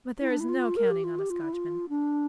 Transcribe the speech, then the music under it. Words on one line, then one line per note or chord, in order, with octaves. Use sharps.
But there is no counting on a Scotchman.
E4
D4
E4
F4
A#4
G4
F4
G4
F4
E4
F4
D4